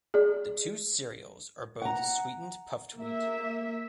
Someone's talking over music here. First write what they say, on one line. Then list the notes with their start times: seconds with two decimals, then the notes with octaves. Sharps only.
The two cereals are both sweetened puffed wheat.
0.14 G#4 D5
1.82 F#5 A#5
2.96 A#3 E5